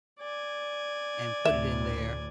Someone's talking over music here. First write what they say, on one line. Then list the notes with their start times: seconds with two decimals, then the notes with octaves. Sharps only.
and put it in there.
0.19 D5 G#5
1.45 D2 A2 E5